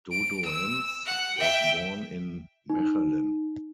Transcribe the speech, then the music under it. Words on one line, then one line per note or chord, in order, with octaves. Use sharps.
Dodoens was born in Mechelen.
D7
E6
F#5
E5 G5
D#4